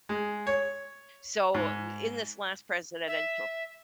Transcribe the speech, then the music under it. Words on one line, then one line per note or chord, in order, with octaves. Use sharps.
So, we in this last presidential
G#3
C#5
G#2
E5